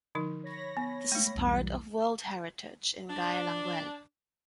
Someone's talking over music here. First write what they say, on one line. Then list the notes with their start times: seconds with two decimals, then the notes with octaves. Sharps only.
This is part of World Heritage in Gaelanguel.
0.15 D3 F3 D#4
0.44 C#5 B5 A#6
0.77 B3
1.12 G#3 A3
1.35 B1 E2 G2
3.09 D4